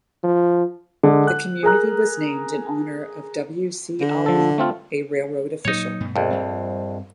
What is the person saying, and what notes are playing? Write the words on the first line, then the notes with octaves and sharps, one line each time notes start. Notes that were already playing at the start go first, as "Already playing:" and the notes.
The community was named in honor of W. C. Albee, a railroad official.
F3
D3 G#3
F#6
G#4 A#4 A#5 F#6
D3
F3 A4
A3 C4 F4
A#2 F#3 D#4 C#5
G2 B2 A3
A#1 F2
G2 G3 C4